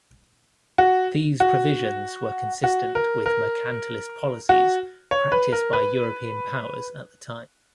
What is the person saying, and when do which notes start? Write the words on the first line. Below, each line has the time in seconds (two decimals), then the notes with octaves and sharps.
These provisions were consistent with mercantilist policies practice by European powers at the time.
0.78 F#4
1.40 F#4
2.64 F#4
2.95 A#4
3.26 A#4
4.49 F#4
5.11 C#5
5.32 B4
5.52 A#4
5.73 B4